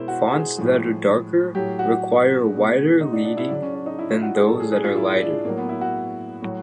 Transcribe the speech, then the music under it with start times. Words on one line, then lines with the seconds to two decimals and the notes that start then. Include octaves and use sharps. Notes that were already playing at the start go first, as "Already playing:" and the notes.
Fonts that are darker require a wider leading than those that are lighter.
Already playing: B2 G#3 E4 A#4 C5
0.08 F#4
0.32 G#4
0.57 A2 F3 G#3
1.55 A2 F#3 G4
1.79 F#4
2.52 B2 G#3
3.01 D#4
3.13 D4
3.25 D4
3.37 E4
3.50 C#3 F#3 D4
3.62 C#4
3.74 D4
3.86 D#4
3.99 E4
4.10 F4
4.23 F#4
4.35 G#4
4.47 A2 E3 G3 A4
4.60 G#4
4.72 G#4
4.84 F4
4.96 E4
5.20 D4
5.45 A2 F#3 A#3
5.58 B3
5.69 E4
5.81 F#4
6.42 A2 F#3